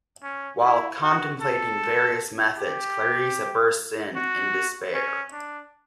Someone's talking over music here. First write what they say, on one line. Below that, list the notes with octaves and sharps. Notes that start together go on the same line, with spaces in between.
While contemplating various methods, Clarisa bursts in in despair.
C#4
E4
F#4
A4
G4
F#4
C#4
D4